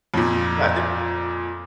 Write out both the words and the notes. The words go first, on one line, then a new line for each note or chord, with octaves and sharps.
yeah, I think
F2 A#2